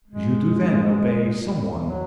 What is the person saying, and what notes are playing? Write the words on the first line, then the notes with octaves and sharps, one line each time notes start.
"You do, then, obey some one?"
G#3
F#3